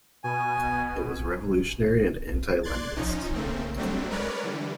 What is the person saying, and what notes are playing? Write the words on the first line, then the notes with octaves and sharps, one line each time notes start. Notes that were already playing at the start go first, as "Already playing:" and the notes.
It was revolutionary and anti-Leninist.
B2 G#5
D5 C6 F#6 G#6 A6
F3 C#4 D#4
C#3 A3 A#3 C4
F#3 G3 A3 C4 D4
G#3 A#4 B4 C#5 D5
D3 E3 G3